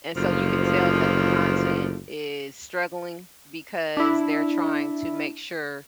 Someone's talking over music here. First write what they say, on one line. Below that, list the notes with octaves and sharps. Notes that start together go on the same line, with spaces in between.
And so you can tell that the content is struggling because they're trying to make sure
F#1 D2 F3
D4 E4